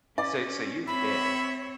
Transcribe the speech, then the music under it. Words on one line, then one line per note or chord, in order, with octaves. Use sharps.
so so you've been
C#4 D5
C4 C#5 E5 B5